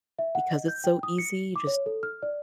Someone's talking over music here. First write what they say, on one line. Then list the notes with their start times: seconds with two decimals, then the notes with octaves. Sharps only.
because it's so easy; you just
0.19 E5
0.35 F#5
0.51 D#5
0.68 G6
0.84 G5
1.03 D#6
1.18 C#7
1.56 D6
1.67 C#5
1.86 A4
2.03 F6
2.23 D5